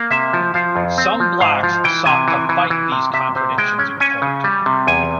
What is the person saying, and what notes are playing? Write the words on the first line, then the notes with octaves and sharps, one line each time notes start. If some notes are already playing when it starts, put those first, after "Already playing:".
Some Blacks sought to fight these contradictions in court.
Already playing: A#3
C3 E5
F3
F3 F5
F2
C4
F3
G#2 F5
F3
E3 G5
C3 G#5
E3
E3
E3
C3
C3 E5
C3 C5
G#3 G5
C#4
C#4 G#5
C#3
G3
C3
E2 G#5